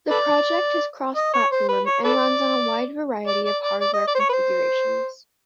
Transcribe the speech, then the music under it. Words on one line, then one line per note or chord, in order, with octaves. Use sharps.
The project is cross-platform, and runs on a wide variety of hardware configurations.
A4 B4 D5
D#5
C#5
C5
B4
C#5
A4 B4 D5
D5
D5
D5
D5
D#5
D5
C5
C#5
B4
C5